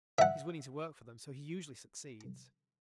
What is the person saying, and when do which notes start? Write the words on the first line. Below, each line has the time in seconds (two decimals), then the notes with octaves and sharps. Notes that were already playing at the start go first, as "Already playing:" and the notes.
He is willing to work for them, so he usually succeeds.
0.19 E5 F#5